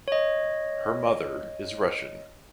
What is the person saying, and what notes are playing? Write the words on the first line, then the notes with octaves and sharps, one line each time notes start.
Her mother is Russian.
C#5 D#5